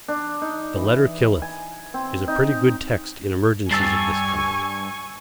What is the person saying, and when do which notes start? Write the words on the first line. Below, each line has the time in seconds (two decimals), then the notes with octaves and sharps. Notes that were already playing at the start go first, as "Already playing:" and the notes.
"The letter killeth" is a pretty good text in emergencies of this kind.
0.08 D4
0.42 D#4
0.75 E3
1.42 G#5
1.94 C4
2.28 D#4
3.71 G2 G#5 C#6 E6 A6 C7